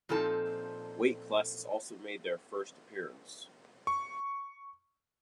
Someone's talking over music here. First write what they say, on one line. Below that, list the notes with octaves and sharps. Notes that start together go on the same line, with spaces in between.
Weight classes also made their first appearance.
A#2 F3 C4 D#4 A4 A5
C#6